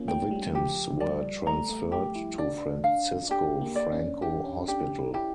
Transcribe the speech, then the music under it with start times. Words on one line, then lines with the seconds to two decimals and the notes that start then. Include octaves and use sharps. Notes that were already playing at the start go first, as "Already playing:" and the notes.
The victims were transferred to Francisco Franco Hospital.
Already playing: A#3 C#4 F4
0.08 A3 G5
0.31 G3
0.54 F3 G4
1.00 G3 D5
1.46 A3 A#5
1.69 A3
1.92 A3 G4
2.15 E4
2.38 D4 D5
2.84 D4 F5
3.30 D4 G4
3.61 A#3
3.75 D5
3.92 C#4
4.22 D4 G4
4.45 C#4
4.68 D4 G4
5.14 E4 G4